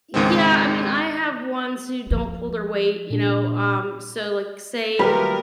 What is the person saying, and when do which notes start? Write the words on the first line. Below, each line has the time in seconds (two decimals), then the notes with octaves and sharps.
Yeah, I mean, I have ones who don't pull their weight, you know, um, so, like, say,
0.14 C#2 G#2 D#3 G#3 C4
2.11 F3
3.10 A#2 D4
4.99 D#2 F#3 G3 A3 F4 G4 A#4 B4